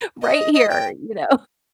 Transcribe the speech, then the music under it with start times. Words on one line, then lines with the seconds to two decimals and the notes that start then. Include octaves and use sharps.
right here." You know?
0.22 D#5
0.54 D#5
0.70 G5